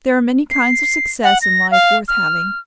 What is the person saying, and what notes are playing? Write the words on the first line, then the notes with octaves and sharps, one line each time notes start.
There are many kinds of success in life worth having.
C7
F#5
A#6
F5
F6